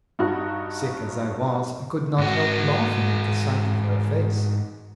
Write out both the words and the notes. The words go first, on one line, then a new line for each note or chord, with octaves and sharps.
Sick as I was, I could not help laughing at the sight of her face.
G2 D#4 F#4
G#2 F#4